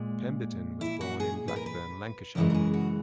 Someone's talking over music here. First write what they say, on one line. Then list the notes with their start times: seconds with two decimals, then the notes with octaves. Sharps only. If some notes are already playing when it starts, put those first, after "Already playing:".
Pemberton was born in Blackburn, Lancashire.
Already playing: A#2 G#3
0.81 E4
1.01 F#4
1.20 G#4
1.48 B4
1.56 A#4
1.66 B4
2.35 F#2 C#3 E3 G#3 A#4
2.50 A#4
2.54 G#4
2.74 F#4